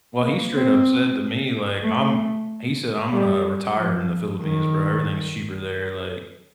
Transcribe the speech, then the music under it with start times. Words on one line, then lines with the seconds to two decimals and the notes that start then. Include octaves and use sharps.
Well, he straight up said to me like, "I'm" he said "I'm gonna retire in the Philippines, bro, everything is cheaper there, like
0.22 A#3
0.54 C4
1.82 A3
3.12 G3
3.77 F3
4.41 D#3